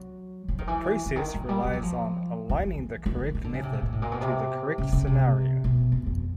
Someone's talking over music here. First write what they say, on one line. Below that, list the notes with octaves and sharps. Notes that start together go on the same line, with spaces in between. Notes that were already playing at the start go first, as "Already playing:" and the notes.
The process relies on aligning the correct method to the correct scenario.
Already playing: F#3
F3
D#3
E3
D3
D#3
F#3
G3
G3
F#3
F3
E3
D#3
D#3
D3
C#3
C3
B2
A#2
A2
A#2
B2
C3
C#3
C#3
C3
B2
F2
F2